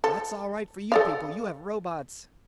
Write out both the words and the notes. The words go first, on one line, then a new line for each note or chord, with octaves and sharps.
"That's all right for you people, you have robots...."
A4
A4 D5 F5